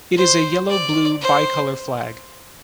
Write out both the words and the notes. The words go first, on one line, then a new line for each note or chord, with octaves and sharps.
It is a yellow-blue bicolor flag.
C5
D5
C5